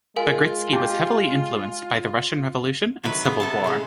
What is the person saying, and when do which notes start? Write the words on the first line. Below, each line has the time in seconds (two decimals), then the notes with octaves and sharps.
Bagritsky was heavily influenced by the Russian Revolution and Civil War.
0.16 G#3 F4 A#4 F5 G#5
0.73 G4
3.04 C3 D#3 F#3 B4
3.24 C#3 B3
3.40 C3 A4 A5
3.64 A2 C#3 G#3